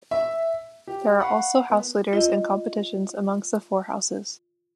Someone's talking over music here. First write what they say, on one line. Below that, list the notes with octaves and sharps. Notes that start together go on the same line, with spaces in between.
There are also house leaders and competitions amongst the four houses.
E5
G4
F5 F#5 B5 C#6
B3
F4 D#5